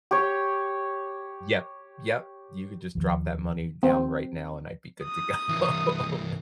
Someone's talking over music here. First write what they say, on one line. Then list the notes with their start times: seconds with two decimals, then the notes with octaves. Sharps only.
yep, yep, "you could just drop that money down right now, and I'd be good to go."
0.11 G4 C#5
2.95 D#2 F3
3.83 C4
5.04 D#6
5.49 C2 E3